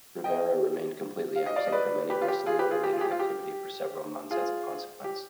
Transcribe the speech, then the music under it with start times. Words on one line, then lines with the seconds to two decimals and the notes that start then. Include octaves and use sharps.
Rivera remained completely absent from any wrestling-related activity for several months as a consequence.
0.24 D#5 G5
1.36 F5
1.46 D#5
1.56 D5 F5
1.67 D#5
1.72 B4 D5
2.10 G4 B4
2.21 F4
2.28 G4
2.46 F4 G#4
2.59 G4 B4
2.71 F4 G#4
2.83 G4
2.92 F4
2.98 G#4
3.01 G4
3.11 F4
3.19 G4
4.31 F4 G#4
5.04 G4